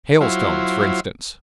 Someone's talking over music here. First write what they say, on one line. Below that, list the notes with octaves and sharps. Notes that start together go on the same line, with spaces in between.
Hailstones, for instance.
F#3 E4 F4 C5